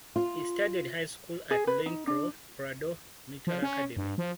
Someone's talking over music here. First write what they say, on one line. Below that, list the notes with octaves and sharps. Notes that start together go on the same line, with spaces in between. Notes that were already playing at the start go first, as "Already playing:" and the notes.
He studied high school at Leoncio Prado Military Academy.
F4
G#4
B4
D#4
D4
F3
C#4
G2
F3